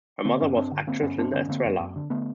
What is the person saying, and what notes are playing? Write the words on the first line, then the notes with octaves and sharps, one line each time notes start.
Her mother was actress Linda Estrella.
D3 A#3 C4
G2 B3 C#4
G2 C4 D4
D3
D3 A#3 C4
G2 B3 C#4
G2 C4 D4
D3 B3 C#4
D3 A#3 C4
F#2
F#2
D3
D3 A3 B3